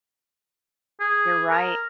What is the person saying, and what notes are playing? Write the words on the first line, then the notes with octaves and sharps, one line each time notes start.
You're right.
G#4
A#4